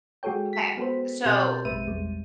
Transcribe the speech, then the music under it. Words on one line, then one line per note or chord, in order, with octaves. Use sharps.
okay. So,
G#3 F#4 G#4 A4 C#5 G5
B6
B3 F#4 A4 B4 C5
B2 C4 G4 C6 G6 A6
A1 F#2 G#3 B4 E5 D#7
E2 G3 G#3